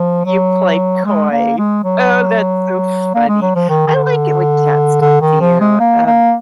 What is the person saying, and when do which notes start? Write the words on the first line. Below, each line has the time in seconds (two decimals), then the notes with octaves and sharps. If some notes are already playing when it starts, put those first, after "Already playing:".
You played coy. Oh, that's so funny. I like it when cats talk to you, um
Already playing: F3
0.25 F#3
1.05 G#3
1.31 A#3
1.58 G#3
1.84 F#3
3.14 A#3
3.28 G#3
3.42 F#3
3.55 F3
3.69 D#3
3.87 D#3
3.95 D3
5.01 D3
5.21 D#3
5.41 F3
5.60 G#3
5.80 A#3
6.07 A#3